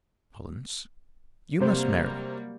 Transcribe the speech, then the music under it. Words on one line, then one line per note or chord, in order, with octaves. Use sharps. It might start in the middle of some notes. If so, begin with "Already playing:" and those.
Collins, you must marry.
C3 F#3 G3 A#3 C5